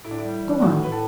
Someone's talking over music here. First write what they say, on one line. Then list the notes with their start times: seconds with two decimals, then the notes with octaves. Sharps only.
Go on.
0.04 A2 E4
0.11 D4
0.18 E4
0.24 G3
0.43 E3
0.62 A2 F#4
0.83 A2 B4
0.92 A4